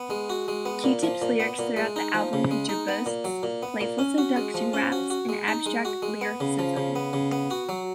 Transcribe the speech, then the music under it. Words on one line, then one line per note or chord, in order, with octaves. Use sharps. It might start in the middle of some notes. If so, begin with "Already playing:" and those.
Q-Tip's lyrics throughout the album feature boasts, playful seduction raps, and abstract lyricism.
Already playing: B3
G#3
F#4
G#3
B3
A#2
F3
A#2
B3
A#2
G#3
D#4
F3
C#3
G#3
D#4
B3
A#2
F#3
A#2
B3
A#2
C#4
F#4
G#3
F3
C#4
F#4
F#4
G#3
D#4
G#3
F#4
G#3
B3
C#3
F3
C#3
B3
C#3
B3
F#4
F#3